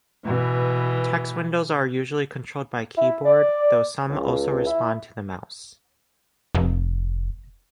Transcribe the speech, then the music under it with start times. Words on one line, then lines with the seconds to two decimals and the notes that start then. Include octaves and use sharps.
Text windows are usually controlled by keyboard, though some also respond to the mouse.
0.24 B2 E3
2.97 E4
3.25 D5
4.09 C#2
4.67 E4
6.55 F1